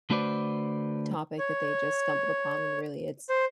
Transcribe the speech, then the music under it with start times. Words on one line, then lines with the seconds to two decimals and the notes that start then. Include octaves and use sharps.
topic that they just stumbled upon when really it's
0.10 D3 A3 F#4 B4 C5 D5
1.39 C#5
3.29 C5